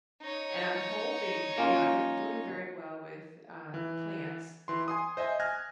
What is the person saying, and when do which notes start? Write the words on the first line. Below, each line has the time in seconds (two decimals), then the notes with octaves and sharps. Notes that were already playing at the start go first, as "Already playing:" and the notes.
and I'm hoping you know, I've been doing very well with, uh, plants,
0.21 D#4 C#5
1.58 A#3 C#4 F4
3.74 E3
4.68 E3 C6
4.88 G#5 C6 D#6
5.17 C5 D#5 E5 G#5
5.40 G#5 F6 F#6 G#6 A#6